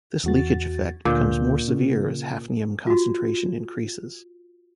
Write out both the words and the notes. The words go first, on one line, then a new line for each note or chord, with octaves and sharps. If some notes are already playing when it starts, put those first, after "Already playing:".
This leakage effect becomes more severe as hafnium concentration increases.
E2 F#4 A6
D2 A#2 D3 G6
C#3
F4 F#4